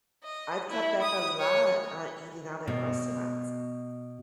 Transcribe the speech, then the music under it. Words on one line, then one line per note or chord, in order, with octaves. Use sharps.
I've cut back a lot on eating out at restaurants.
D#5
E4
D#6
C#5
B2